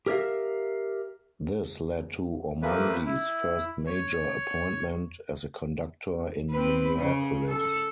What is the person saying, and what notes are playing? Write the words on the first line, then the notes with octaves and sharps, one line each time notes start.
This led to Ormandy's first major appointment as a conductor, in Minneapolis.
G4 A#4 C#5 E5 F5
F3 G3 A3 A#3 B4
E4
C#5
C4 B4
C#3
A4